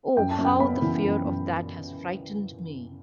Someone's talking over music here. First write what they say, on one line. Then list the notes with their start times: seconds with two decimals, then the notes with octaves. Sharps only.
Oh, how the fear of that has frightened me!
0.17 F#2 G5
0.31 A5
0.38 F#2
0.45 G5
0.59 B3 B5
0.82 E3
1.03 F#2
1.24 F#2